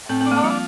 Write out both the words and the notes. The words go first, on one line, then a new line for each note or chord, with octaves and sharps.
Uh, oh uh,
A2 C4
C4
D4
A#3
F3 G3